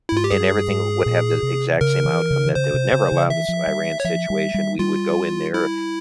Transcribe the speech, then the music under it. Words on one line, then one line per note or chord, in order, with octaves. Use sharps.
and everything would have the exact same outcome that they would never allow this Iran situation. We would go in there
E4
G#2 F4
G4
G2 G#4
G#2
A#2
C3
C#3 A#4
E3
C#3
E3
C#3 C5
C3
C#3
C#3
E3 E5
F3
G3
C#5
F3 E5
G3
G3
G3 F4
E4